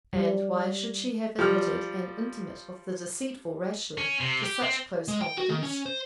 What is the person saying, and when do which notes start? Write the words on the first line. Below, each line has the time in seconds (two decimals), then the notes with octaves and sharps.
And why should she have admitted an intimate of the deceitful Rashleigh to such close confidence?
0.13 G3
1.39 F3 G3 F6
3.98 C#4
4.20 C3
4.43 G4
4.62 C4
5.08 G#3
5.22 G5
5.38 F#4
5.50 D#3
5.63 C#4
5.86 C5